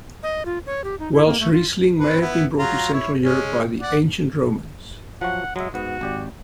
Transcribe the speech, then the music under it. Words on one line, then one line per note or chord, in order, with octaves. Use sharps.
Welschriesling may have been brought to Central Europe by the ancient Romans.
D#5
F4
C#5
G4
D#4
E4
A#3
A3
F4
C4 B4
B3 E4
F#3 F4 A#5
E4 C#5
G#3 C#4
D5 F#5
F3 F#3 F#4 F#5
F#3 G#3 E5
G#2 B3 F#4
G#1 G4 D5